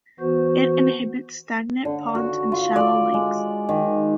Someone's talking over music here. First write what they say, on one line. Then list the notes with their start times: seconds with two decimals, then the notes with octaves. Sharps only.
It inhabits stagnant ponds and shallow lakes.
0.20 E3 B3 F#4 C5
1.85 D3
2.15 F#4
2.52 F4
2.76 D5
3.14 G#3
3.69 D#3